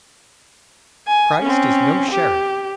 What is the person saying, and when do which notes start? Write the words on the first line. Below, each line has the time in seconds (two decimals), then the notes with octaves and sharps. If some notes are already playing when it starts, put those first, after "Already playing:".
Christ is no sheriff.
1.07 G#5
1.42 C4 C#4
2.11 G4